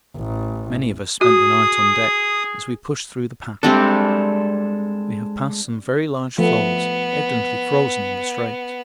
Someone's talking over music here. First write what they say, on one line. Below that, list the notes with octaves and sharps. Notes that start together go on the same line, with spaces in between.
'Many of us spent the night on deck as we pushed through the pack.' We have passed some very large floes evidently frozen in the strait.
A1
F#4 G#4 D#6
G3 G#3 C4 D4 A4
F3 A3 B3